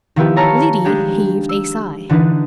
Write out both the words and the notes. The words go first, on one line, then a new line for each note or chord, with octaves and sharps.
Liddy heaved a sigh.
D#3 F3 B3 E4 G4 B4
C#5 A5 A#5 C#6 F6
G3 G#3 D4 G4 G#4
E6
D3 E3 D4 D#4 B4